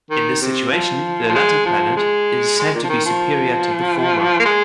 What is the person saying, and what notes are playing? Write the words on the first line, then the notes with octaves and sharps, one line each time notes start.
In this situation, the latter planet is said to be superior to the former.
D#3
C3
F3
F3
G#3
F3
G#3
G#3
A#2
F3
D#3
F3
A#3
G#3